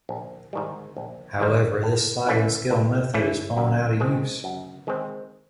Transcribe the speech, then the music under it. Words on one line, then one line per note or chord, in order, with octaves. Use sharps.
However, this sliding scale method is falling out of use.
A#1
G#2 D#3 G3
A#1
G#2 D#3 G3
A2
E3 A3 C#4 E4
A2
E3 A3 C#4 E4
F#2
D#3 G#3 C4
F#2
D#3 G#3 C4